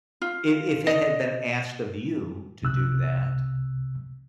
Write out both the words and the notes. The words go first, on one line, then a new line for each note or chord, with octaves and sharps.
if if it had been asked of you to do that,
F4
D#5
C2 C3 E6 F#6